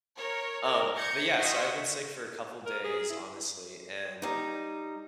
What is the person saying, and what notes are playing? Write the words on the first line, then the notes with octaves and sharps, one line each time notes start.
Um, but yeah, so I've been sick for a couple days, honestly, and
A#4 C#5
A#4
G6 G#6 A#6 C#7
F#4 C5 D#5 E5 F#5
A#4
G#4
E4
G3 D#4